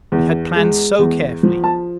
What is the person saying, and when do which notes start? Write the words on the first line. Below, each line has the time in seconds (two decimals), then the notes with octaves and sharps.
We had planned so carefully!
0.12 E2
0.56 G#3
0.99 E2
1.43 F3
1.64 A5